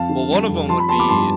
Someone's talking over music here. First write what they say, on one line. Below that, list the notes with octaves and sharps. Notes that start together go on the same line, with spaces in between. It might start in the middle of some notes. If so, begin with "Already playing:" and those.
Well, one of 'em would be,
Already playing: F2 F5 A5
D3
G3
F1
F3 A5 C6
B5
B3 A5 C6
B5 D6
G2 A5 C6